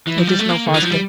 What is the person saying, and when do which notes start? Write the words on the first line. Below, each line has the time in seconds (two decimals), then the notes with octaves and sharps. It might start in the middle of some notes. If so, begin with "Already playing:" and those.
It is now faster.
0.07 E3
0.18 F3
0.27 G3
0.39 A3
0.49 A#3
0.66 D3
0.74 E3
0.82 F3
0.91 G3